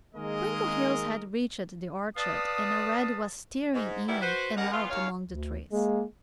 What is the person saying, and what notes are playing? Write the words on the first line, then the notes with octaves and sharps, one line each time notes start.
Twinkleheels had reached the orchard and already was tearing in and out among the trees.
D#3 G#3 A#3 G#4 A#4 D#5
B4 D5 F5 A5 D#6
G#2
D#3 E3 G3 A3 B3 E4
F#4 B4 C5
D#2 C#3 G3 D#4 A#4 F#5
E2 B3 F4
D#2 C#5 F5
D2
G#3 A#3